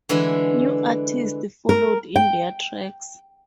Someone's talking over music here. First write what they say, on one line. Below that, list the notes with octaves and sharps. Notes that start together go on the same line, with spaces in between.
New artists followed in their tracks.
D3 E3 G#3 E4
A#4
G5